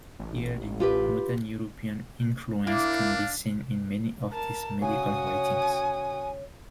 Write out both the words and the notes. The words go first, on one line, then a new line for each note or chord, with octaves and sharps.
Early modern European influence can be seen in many of these medical writings.
A1
F4 G4 B4
A#3 D4 E4 F5
A#4 A5
C#3 F#4 C#5 G#5 D#6